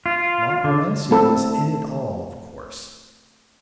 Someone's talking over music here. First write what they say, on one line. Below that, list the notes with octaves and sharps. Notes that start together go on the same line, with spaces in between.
Montmorency was in it all, of course.
F4
D3
A3 C4 A4